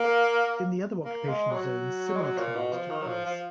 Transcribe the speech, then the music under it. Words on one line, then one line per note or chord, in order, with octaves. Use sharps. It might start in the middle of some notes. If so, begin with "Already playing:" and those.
In the other occupation zones similar trials took place.
Already playing: A#3
A#3
G#3
F#3
G#3
F#3
A#2
B2
F3
D#3
F#3
F3
F3